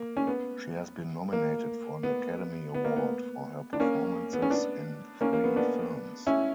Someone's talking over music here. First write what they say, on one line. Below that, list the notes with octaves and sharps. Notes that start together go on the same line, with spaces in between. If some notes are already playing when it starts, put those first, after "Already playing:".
She has been nominated for an Academy Award for her performances in three films.
Already playing: A#3
C#4
B3
A#3
B3
B3
A#3
B3
D4
A#3 C#4
B3
C#4
B3 D4
A#3 C#4
A#3
B3
B3 D4
C#4 E4